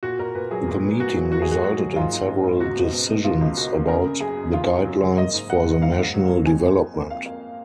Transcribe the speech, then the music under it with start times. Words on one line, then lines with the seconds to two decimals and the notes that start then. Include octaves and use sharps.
The meeting resulted in several decisions about the guidelines for the national development.
0.03 A#2 F#4
0.19 A#2 A#4
0.35 A#2 B4
0.51 F#3 G#4
0.68 A#2
0.83 B3
1.00 A#2 F#4
1.16 F#3
1.32 A#3 F#4
1.42 G#4
1.48 G#2 F#4
1.64 F#3 F#4
1.80 F#3
1.96 G#2 F4
2.12 G#2
2.28 G#2
2.44 G#2
2.60 C#2 F#4
2.76 B2
2.92 B2
3.09 B2
3.24 B2 F4
3.41 C#2
3.57 A#3 F#4
3.73 A#3
3.88 C#3 A#4
4.05 C#3
4.21 F#2 G#4
4.37 F#2
4.53 C#3 F4
4.69 F#2
4.85 F#3
5.01 C#3
5.17 A#3 D#5
5.34 G#2
5.49 A#3 F#5
5.65 G#2
5.81 G#2 F5
5.98 G#2
6.14 F#3
6.29 A#3
6.46 F2 G#5
6.62 F2
6.78 F2
6.94 A#3
7.10 F2 F5
7.26 A#3